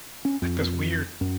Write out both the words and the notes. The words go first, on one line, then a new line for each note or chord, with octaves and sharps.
like this weird
C#4
F2
F#2